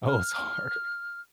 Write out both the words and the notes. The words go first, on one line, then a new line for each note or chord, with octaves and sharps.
Oh, it's harder.
F6